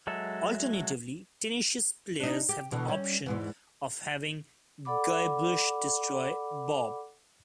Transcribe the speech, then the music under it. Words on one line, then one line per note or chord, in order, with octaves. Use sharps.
Alternatively, tenacious players have the option of having Guybrush destroy Bob.
F#3 G#3 A4 E5
D4 D#4
G4
B2 D3 E3
G3 C#4
E2 G#2 E3
A4 D5 F#5 B5 D6